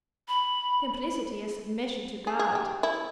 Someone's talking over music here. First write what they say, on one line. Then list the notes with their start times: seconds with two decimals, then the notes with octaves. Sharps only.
Simplicity is submission to God.
0.28 B5
2.27 G#4
2.39 G#4
2.55 G4
2.83 E4